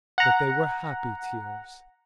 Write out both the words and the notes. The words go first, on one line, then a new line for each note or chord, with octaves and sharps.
But they were happy tears.
F#5 A#5